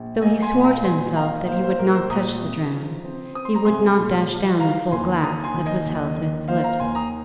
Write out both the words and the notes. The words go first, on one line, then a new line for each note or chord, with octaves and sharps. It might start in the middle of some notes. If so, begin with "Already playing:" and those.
Though he swore to himself that he would not touch the dram, he would not dash down the full glass that was held to his lips.
Already playing: A#1
A#3 D#5 G#5
G#5 C6
A#2
F5 A#5
A#2 G#5 C6
A#1 F5 A#5
A#3 C5 F5
C5 F5
A#1 A#4
A#4
C5
A#2 A#5 D#6
C2
F3
C4
C4 D#6
C6
A#5
C2 G#5 C6
A#2
F3
D#3 F5 A#5
D#2 G#5 C6
D#2 A#5 D#6
G#5 C6
D#3
D#5 G#5
D#2
D#3
A#3 C5 F5
F5 A#5
D#2 G#5 C6
A#5 D#6